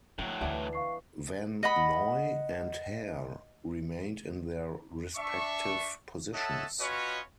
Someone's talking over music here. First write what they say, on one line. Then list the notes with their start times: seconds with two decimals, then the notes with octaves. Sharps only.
Van Noy and Hare remained in their respective positions.
0.19 A2 F3 F#3 D4
0.41 D2 E3 B3 D4 D#4
0.73 F5 C#6 C7
1.63 D#5 F#5 B5
5.17 D4 E5 C#6
6.33 A4 C#5 D#5 E5 F#5 A5
6.80 C#4 F4 F#4 B4 C#5 D#5